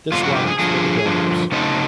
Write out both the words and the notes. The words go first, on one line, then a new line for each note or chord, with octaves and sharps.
This one’s for the grownups.
G2 D3 F3 F4
F#4
G4
G#4
G2 D3 F3 G#4
G2 D3 F3
C#3 F#3 A3 C4 D#4 A4